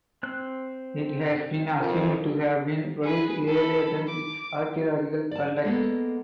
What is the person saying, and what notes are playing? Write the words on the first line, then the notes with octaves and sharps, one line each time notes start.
It has been assumed to have been produced earlier than its archaeological context.
C4 F#6
F2 A#4
G#4 B4
A4 B5
D6
D5 A5
G#3 A#3 B3 A4